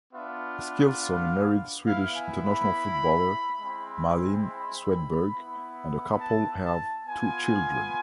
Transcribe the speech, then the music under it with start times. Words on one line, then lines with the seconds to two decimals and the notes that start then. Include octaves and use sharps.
Eskilsson married Swedish international footballer Malin Swedberg, and the couple have two children.
0.13 B3 D4 F4 E5
1.00 F5
1.87 B3 E4 F5
2.16 G#5
2.44 B5
3.61 G#3 C4 E4
4.47 B5
5.34 B3 E4
6.20 A5
6.64 A5
7.07 B3 F4 G#5